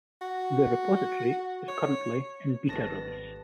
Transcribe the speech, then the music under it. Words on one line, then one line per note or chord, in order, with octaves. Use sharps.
The repository is currently in beta release.
F#4
C#5
G#1 F2 G3 B3 A5 A#6